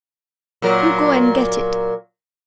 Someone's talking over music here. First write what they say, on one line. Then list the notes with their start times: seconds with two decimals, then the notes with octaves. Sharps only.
You go and get it.
0.62 A#2 F#3 A#4